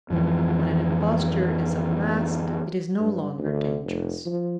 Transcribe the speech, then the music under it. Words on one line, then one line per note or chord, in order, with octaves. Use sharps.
When an imposture is unmasked it is no longer dangerous.
F2 G#2 E3 F3
G2
D2
F1
F3